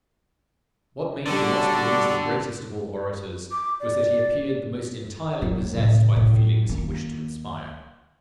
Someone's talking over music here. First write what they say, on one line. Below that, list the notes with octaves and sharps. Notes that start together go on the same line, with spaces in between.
What made Demosthenes the greatest of all orators was that he appeared the most entirely possessed by the feelings he wished to inspire.
D3 G3 D4 F#4 A4 D5
D6
D5
F#3 A#3
A2 C#3
A2 D3
D#3 A#3